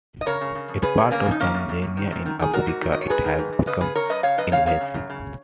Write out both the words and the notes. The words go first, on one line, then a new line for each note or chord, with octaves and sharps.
In parts of Tanzania in Africa it has become invasive.
D#5
C#3 A#4 C#5
C#3
C#3
F2
C#3 G#4 B4
C#3
C#3 A#3 C#4
F2
D#4
D#3 A#3 C#4
F#2
F#2
F#2
D#3
F#2
D#3
D#3 G#4
D#3 F#4 A#4
G#2
D#3
G#2 D#5
C#5
G#2 G#4 B4
D#3
G#2
G#2
C#3 B4 D#5
C#3 G#4 B4
C#3 A#4 C#5
F#2 B4 D#5
C#3 C#5 F5
F#2 B4 D#5
C#3 C#5 F5
F#2 C#5 F5
C#3
F#2
C#3